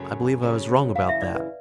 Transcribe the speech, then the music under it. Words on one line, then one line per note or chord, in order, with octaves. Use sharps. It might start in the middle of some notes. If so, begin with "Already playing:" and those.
I believe I was wrong about that.
Already playing: F#2 C#3 F#3 A3
F#2 C#3 F#3 A3
F#2 C#3 E3 G#3 F5
E5
D5
B4